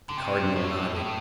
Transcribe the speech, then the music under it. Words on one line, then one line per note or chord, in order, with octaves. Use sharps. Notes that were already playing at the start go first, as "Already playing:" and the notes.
The Cardinal nodded.
D3
C3
A2
A2